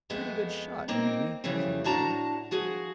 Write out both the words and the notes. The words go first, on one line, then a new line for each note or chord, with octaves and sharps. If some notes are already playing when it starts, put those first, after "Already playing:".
"A pretty good shot, Mealy!" said one.
F2 G#3 A3 B3
A#3 C4 D#4
C#3 E3 F3 G3 A3
A2 D4 F#4 A5 A#5
F3 F#4 G#4